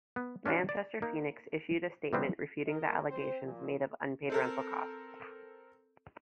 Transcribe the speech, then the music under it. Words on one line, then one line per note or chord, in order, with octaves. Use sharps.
Manchester Phoenix issued a statement refuting the allegations made of unpaid rental costs.
B3
C#4 D4 F4 F#4
D5
A#3 D#4
C3 E3 G3 B3 C4
A#4 D#5
C4 C5
A#2 F3
C4 A4 A#4